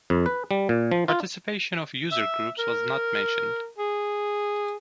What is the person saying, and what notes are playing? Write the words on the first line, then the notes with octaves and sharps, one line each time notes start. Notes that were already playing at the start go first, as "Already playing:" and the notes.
Participation of user groups was not mentioned.
F2
B4
G3
A#2
F3
F4
E5
A#4
G#4